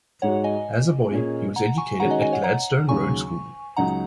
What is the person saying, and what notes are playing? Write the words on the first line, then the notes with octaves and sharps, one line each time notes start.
As a boy, he was educated at Gladstone Road School.
G#2 G#3 F#4 C#5 F#5
D#5 G#5
A#2 A#3 C#4 G#4
F#5 A#5
G#5 C#6
D#3 G#3 C#4 F#4 F#5 A#5
D#5 G#5
D#5 G#5
C#5 F#5
F#5 A#5
D#2 C#3 F#3 C#4 G#4 G#5 C#6
C#2 C#3 F#3 D#4 F#5 A#5